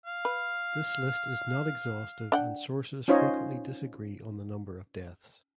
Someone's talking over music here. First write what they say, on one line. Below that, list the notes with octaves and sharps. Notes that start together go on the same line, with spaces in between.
This list is not exhaustive and sources frequently disagree on the number of deaths.
F5
B4
D4 F#5 G5
C#4 D#4 F4 C5 C#5 D#5